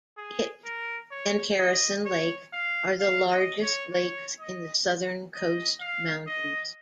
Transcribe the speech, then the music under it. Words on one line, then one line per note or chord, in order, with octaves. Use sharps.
It and Harrison Lake are the largest lakes in the southern Coast Mountains.
G#4
A#4
C#5
D#5
C#5
F5
F5
D#5
C#5
C#5
D#5
D#5
F5
D#5